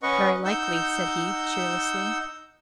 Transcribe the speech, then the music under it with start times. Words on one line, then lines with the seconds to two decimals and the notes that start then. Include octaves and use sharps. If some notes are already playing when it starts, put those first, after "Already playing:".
"Very likely," said he cheerlessly.
0.03 C#4 B4 D#5 F#5 C#6
0.45 D#4 F#5 E6 G6